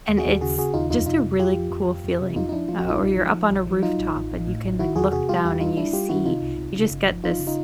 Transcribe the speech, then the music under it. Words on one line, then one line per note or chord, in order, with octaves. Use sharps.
And it's just a really cool feeling, uh, or you're up on a rooftop and you can, like, look down and you see you just get this
D#2
F#4 G#4
D#2
C#3 F#4 G#4
C#3 F#4 G#4
D#2 D#4 F4
F2 D#4 F4
C3 D#4 F4
F2
F2 F4 G4
F3
F2
F2
F2
C3
F2 D#4 F4
D#4
F3 D4 E4
F3 F4
F#4
A#1 D#4 F4
A#1
F3
F3
A#1
F3
F#3 D#4 F4
A1
A1
A1
A2
A1
D#3 E4 F#4
E2 F#4 G#4
C3 F#4 G#4
G3 F4 G4
E2 F4 G4
G3 D#4 F4
G3 D4 E4
G3 F4 G4
D#3 E4 F#4
C3 D#4 F4
C2
C3
C#3
G1
F3
G1 D#4 F4
C#3
D#4 F4